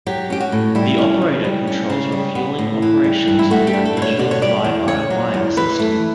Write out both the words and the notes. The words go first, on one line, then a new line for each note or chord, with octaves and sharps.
The operator controls refueling operations through a digital fly-by wire system.
F#3 G4
C#4 G4
F#4
A2
G3 E4
C#4
C#3
G3
C#4
C#3
G3
B3
A2
E3
G3
G2
E4
A3 F#4
G4
D4
A4
B2 C#5
D3 D5
C#5
G3 D5
E2
C#3 C#5
F#3
E2
E3 B4
A3